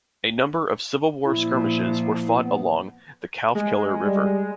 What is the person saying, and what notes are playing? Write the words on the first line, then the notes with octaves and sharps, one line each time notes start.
A number of Civil War skirmishes were fought along the Calfkiller River.
A#2 F3 E4
B3
G#3
G3